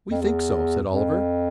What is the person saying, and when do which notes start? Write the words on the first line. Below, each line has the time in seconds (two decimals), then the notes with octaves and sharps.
"We think so," said Oliver.
0.11 F2
0.22 E2
0.86 F2